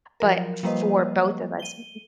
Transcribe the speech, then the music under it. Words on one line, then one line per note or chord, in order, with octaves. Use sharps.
but for both of us, m
F3 F#3 A#4
F3 G3 A#3 B4 C5 D#5
D#7 G7